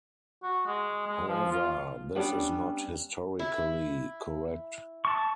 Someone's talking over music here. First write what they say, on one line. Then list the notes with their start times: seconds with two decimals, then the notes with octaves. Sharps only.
However, this is not historically correct.
0.43 F#4
0.66 G#3
1.07 G#3
1.28 F3
1.52 F4
2.15 G3 B3 C#4 D4
3.39 E4
5.05 A5 C#6